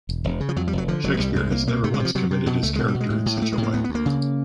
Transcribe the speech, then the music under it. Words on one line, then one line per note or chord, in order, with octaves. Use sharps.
Shakespeare has never once committed his character in such a way.
E1
E1
C#3
F3
F2 F#3
G3
F1
F#3
D3 F3
F1 F#3
G#3
C2 G3
C2 G#3
C2 A#3
C2 A#3
C3 A3
G#3
C3
F3
C3 F#3
C3
B2 F#3
C#2 A3
B2 G#3
G3
B2
G#3
A2
A2
A#3
A2 A3
G#3
A2
A#3
D2 B3
B3
D2
A#3
C#3